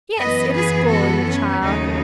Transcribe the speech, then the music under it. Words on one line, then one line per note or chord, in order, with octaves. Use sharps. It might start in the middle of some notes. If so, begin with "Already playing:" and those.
'Yes; it is spoiling the child.
F#2 E3 B3 B4 D#5
G#4 B4
F#4 A4
C#4
D#2 C#3 F#3 A3 D#4